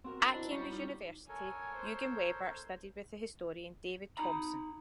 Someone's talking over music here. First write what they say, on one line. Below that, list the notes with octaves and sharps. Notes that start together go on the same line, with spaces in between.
At Cambridge University, Eugen Weber studied with the historian David Thomson.
C4 F#4 A#4
D4 A#5 B5 E6
E4 C5 D#5
G3 C#5 C#6
D#4 F4
A4 A#4 C#5 G#5
C5
D#4 A#5 B5